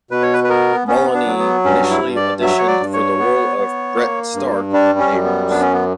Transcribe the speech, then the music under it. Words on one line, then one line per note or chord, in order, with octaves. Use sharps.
Moloney initially auditioned for the role of Brett Stark in "Neighbours".
B2 B4
C#5
B4
B4
B3 A#4
B3 C#4
D4
F#3
B3
G2 C#4
E4
G2
D5
F#3 E5
C#5
D5
G2
C#5
B3
B3
A#3
G2
G3 D4
C#4
F#2
B3
B3 D4
C#4
B3